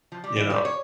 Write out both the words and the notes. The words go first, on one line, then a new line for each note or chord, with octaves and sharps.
you know?
F3
G3
E3
G3
C#5